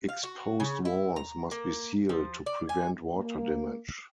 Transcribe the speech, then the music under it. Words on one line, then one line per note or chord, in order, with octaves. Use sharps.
Exposed walls must be sealed to prevent water damage.
F5
F#4
C#3
E4
A#5
A#3
F3
D5
G#5
A#3